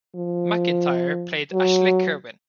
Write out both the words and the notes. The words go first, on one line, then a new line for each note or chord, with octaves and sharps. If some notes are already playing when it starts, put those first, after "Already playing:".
McIntyre played Ashley Kerwin.
F3
F#3